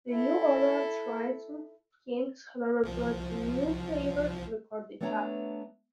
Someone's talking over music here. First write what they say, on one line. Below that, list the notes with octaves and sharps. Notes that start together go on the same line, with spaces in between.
The New Orleans Rhythm Kings, however, brought a new flavor to recorded jazz.
E4 A4
C2 F3
A3 B3 D4 C#5 F#5 A#5